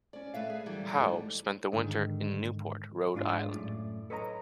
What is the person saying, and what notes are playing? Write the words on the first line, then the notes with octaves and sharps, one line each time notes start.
Howe spent the winter in Newport, Rhode Island.
C#4 D5
A3 B4 E5 F5
G#4
A#2 D3 E3 F#3 G3 B3
G#2 F#3 G3 A3 D#4
G#2 D3 D#3
G#2 G#3 D4 F4
F#2 A2 D5
A4 B4 C#5 D#5 A5 A#5